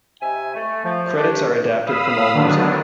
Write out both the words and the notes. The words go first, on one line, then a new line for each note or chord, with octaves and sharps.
Credits are adapted from AllMusic.
C3 D#4 E5 G#5
A3
F3
A3 D4 G4
F5 B5 D#6 E6
D3 D#3 F#3 B3 D4